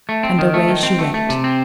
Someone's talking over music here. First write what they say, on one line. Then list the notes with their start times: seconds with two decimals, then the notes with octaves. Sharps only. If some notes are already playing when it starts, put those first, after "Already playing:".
And away she went.
0.09 A3
0.23 C4
0.39 D#3
0.54 A3
0.68 D#3
0.83 C4
0.99 A3
1.14 A3
1.29 C3
1.44 C4